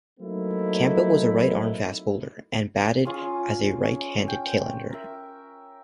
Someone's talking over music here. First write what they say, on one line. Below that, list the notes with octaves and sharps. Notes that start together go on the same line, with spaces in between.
Campbell was a right arm fast bowler, and batted as a right-handed tail ender.
F#3 A3 A#3 C4 D#4 E4
C#4 F4 G#4 D#6
C#4
G5
A#4 E5